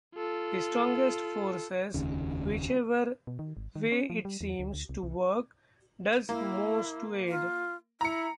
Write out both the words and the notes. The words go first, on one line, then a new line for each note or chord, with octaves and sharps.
The strongest forces, whichever way it seems to work, does most to aid.
F4 A4
F1 D#2 C#3
B2
D#3
G#1
D#3
C#4
F3
G3
E2
D2
D2
C2
C2
A#3 E4
F4
E4 A#5 C#7